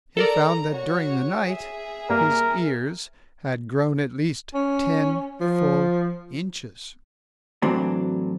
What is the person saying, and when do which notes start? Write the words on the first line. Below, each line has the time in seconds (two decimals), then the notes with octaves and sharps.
He found that, during the night, his ears had grown at least ten full inches!
0.17 A4 A#4 D5 A#5
0.71 F#4 C#5
1.45 G#4 E5
2.10 G2 A#3 A#4
4.54 C#4
5.41 F3
7.62 A2 E3 F#3 C4 D4